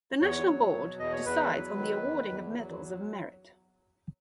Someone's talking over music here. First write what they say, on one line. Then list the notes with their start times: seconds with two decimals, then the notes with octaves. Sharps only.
The national board decides on the awarding of medals of merit.
0.21 E2 C#5
0.46 F#3
0.73 B2
0.99 E2 D#5
1.12 C#5
1.25 E2 B4
1.52 F#3
1.77 D#3
2.04 E2
2.31 E2
2.57 F#3